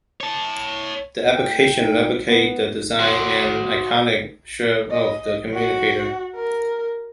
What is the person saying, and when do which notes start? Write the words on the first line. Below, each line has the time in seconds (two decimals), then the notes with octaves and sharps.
The application replicated the design and iconic chirp of the communicator.
0.21 C#5 A5
1.34 A2 G5
1.74 D#4
2.28 B3
2.99 F#4 C5
4.91 D#5
5.55 F#4
6.35 A#4